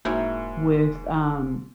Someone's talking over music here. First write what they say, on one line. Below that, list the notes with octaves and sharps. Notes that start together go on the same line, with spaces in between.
with, um
E1 G#2 A#3 E4 F#4 A#4 C#5